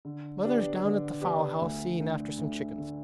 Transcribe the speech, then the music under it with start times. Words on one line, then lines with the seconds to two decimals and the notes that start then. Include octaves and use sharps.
Mother's down at the fowl-house seeing after some chickens.
0.05 D3
0.44 B3 D4 G4
0.84 D3
1.21 B3 D4 G4
1.61 D2
2.00 D3 A3
2.38 D2
2.78 D3 A3